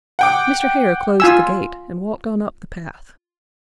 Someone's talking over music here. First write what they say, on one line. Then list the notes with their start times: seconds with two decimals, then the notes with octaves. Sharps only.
Mr. Hare closed the gate and walked on up the path.
0.19 F#5 G5 D6
1.20 F4 G#5 E6